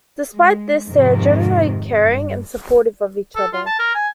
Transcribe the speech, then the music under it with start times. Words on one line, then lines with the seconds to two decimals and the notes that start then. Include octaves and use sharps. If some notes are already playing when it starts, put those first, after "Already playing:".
Despite this, they are generally caring and supportive of each other.
0.35 G#3
0.87 F2 G#2 C3 D#3
1.99 G2
3.36 A4
3.53 F4
3.66 A5
3.79 A#4
3.95 G#5